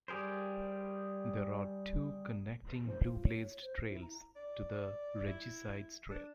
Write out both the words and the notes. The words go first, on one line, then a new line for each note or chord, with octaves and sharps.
There are two connecting Blue-Blazed Trails to the Regicides Trail.
G3 G4 G#4 A#4 C5
C5
F4
C#5
C5
E4
A#5
D5
E4
D4